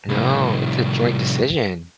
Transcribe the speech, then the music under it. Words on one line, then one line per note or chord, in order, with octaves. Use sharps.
No. It's a joint decision.
C2 A2